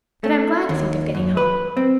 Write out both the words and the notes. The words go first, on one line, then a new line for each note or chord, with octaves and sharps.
But I'm glad to think of getting home.
A3
D#2
F#2
B4
C4